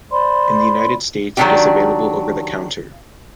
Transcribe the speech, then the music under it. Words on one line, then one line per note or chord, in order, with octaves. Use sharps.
In the United States it is available over the counter.
C5 D5 B5 C6
D#3 F#3 G#3 D4 F#4 G4